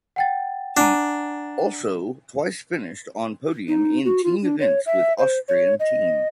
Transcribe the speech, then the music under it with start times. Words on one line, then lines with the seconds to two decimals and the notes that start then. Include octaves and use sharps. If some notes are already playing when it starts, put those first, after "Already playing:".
He also twice finished on podium in team events with Austrian team.
0.16 F#5 G5 A6
0.77 D4 F#5 G#5 A#5
3.68 D#4
4.05 F#4
4.24 F4
4.42 D4
4.60 C#5
4.86 E5
5.18 C5
5.49 C#5
5.80 D#5